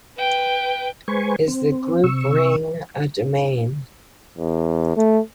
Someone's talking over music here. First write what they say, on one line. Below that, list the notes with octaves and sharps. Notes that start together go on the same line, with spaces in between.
Is the group ring a domain?
B4 G5
G#3 B4 C5 G#5 C#6
C4
C3 C#6 E6
E2
A3